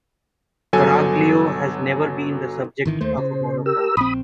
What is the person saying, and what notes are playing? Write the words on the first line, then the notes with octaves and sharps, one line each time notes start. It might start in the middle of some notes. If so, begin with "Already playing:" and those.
Caraglio has never been the subject of a monograph.
G1 F#3 A4 G#5
G#1 D#3 E3
D#2 D#3 A3 C5
C#3
G4 A#4 E6
A#1 C4 B5 D#6